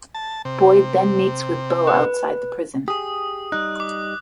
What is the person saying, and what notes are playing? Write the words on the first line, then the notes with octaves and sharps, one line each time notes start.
Boyd then meets with Bo outside the prison.
A5
C3
B4
G4 G#4 D#6
G3 D#4 F#6
D6